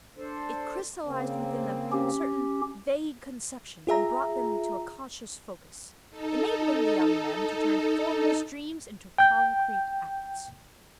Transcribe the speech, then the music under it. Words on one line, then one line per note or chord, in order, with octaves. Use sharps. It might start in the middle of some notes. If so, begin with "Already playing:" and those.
It crystallized within them certain vague conceptions and brought them to a conscious focus, enabling the young men to turn formless dreams into concrete acts.
D4 A4 C5
C#3 A#3 C4
C#4 G4
F4 G#4 E5 A#5
D#4 A4
G5 G6